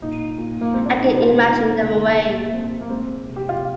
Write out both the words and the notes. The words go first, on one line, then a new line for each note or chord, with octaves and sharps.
I can imagine them away.
A#2 D#4
A#2
A#3
G#3 C4
D4
D#4
C3
F4
F4
G#3 D#4
A#3
C4
D3
A#3
A#2 A#3
A#3
A#2 C4
A#3
G#3 C4
C3
G4
F4